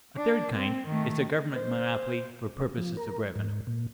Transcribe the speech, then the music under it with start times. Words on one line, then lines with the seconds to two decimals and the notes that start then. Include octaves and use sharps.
A third kind is a government monopoly for purposes of revenue.
0.17 D4
0.55 C4
0.87 D#3 A3
1.56 C5
2.78 F3
2.97 A#4
3.36 G#2
3.67 A#2